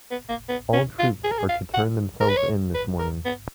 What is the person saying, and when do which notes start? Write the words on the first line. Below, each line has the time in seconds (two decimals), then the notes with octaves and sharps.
All troops are to turn themselves in this morning.
0.11 B3
0.29 A#3
0.49 B3
0.73 C#4
0.99 F4
1.24 G#4
1.31 A#4
1.38 G#4
1.49 F5
1.74 F#5
2.20 A#4
2.29 B4
2.37 C#5
2.75 B4
3.00 A#4
3.25 B3